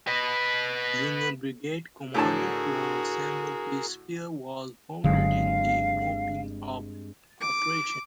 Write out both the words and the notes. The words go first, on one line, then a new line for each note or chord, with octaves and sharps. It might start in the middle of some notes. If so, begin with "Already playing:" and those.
Union brigade commander Colonel Samuel P. Spear was wounded in the mopping up operation.
B4 D#5
A2 D3 F#4 G#4 A#4 A5
F#1 G2 D3 F#3 G#3 C4 F5
D6